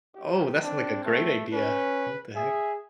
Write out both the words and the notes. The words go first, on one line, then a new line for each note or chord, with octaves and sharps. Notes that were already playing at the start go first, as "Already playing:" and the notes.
Oh, that's, like, a great idea. What the heck?
G4
C4 D4
A3
C#4 B4
G#4 E5